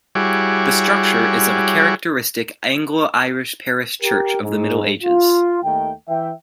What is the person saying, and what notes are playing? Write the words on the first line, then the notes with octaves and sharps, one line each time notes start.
The structure is of a characteristic Anglo-Irish parish church of the Middle Ages.
G3 E4 F#4 G#4 C#5 D6
G4 A#4
G#2
F4
D#2 D#3 A3 G5
E3 E5 G5